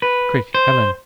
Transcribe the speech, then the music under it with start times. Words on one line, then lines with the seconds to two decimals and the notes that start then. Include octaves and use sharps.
Quick, Ellen!'
0.02 B4
0.55 C5